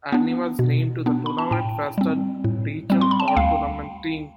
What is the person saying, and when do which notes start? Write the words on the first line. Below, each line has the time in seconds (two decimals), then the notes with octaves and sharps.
Edney was named to the Tournament Western Regional All-Tournament team.
0.12 B3 D4
0.59 B2
1.06 B3 D4
1.26 B5
1.38 A5
1.51 A2 G5
1.98 G3 C4
2.44 A2
2.90 G3 C4
3.01 C6
3.11 B5
3.20 A5
3.28 G5
3.37 D2 F5